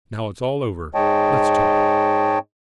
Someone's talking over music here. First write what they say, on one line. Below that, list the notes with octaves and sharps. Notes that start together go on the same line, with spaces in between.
"Now it's all over, let's talk."
G#2 G#3 C#5 D#5 G5 A5